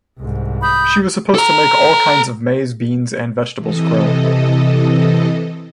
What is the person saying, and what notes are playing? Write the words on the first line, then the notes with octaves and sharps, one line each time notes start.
She was supposed to make all kinds of maize, beans, and vegetables grow.
C2 G#2
B5 D#6 G6
A4 A#5
C3 E3 A4 D#5